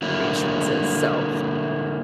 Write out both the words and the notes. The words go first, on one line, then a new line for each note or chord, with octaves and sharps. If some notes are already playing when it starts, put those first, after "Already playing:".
reassurances, so,
D3 F#3 A#3 E4